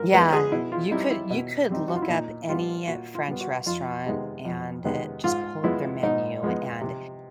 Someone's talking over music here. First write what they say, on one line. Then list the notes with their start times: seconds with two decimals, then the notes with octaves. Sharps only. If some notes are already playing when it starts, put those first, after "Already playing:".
Yeah, you could you could look up any French restaurant, and it just pull up their menu, and
Already playing: G#2 A#4
0.12 F3 G#3 B3 B4
0.32 G#4
0.52 B2 E4
0.72 F4
0.91 G3 C4 D#4 E4
1.11 E4
1.30 B2
1.70 G3 C4 D#4
1.88 F#4
1.96 F4
2.02 E4
2.09 A#2 D#4
2.49 G3 B3 F4
2.88 A#2 F#4
3.15 F4
3.28 G3 B3
3.41 F#4
3.66 F2 F4
4.06 C3 D#3 G#3 B3
4.45 F2
4.84 C3 D#3 G#3 B3
5.24 G#2 F4
5.63 F3 G#3 B3 E4
6.03 G#2 D#4
6.43 F3 G#3 B3
6.81 C3